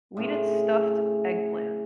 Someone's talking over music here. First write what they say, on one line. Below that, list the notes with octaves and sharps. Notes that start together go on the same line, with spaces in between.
We did stuffed eggplant.
A2 C#3 C4